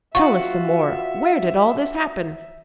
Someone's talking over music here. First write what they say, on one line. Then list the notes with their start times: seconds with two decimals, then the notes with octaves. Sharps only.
"Tell us some more. Where did all this happen?"
0.15 F4 F#4 E5 C#6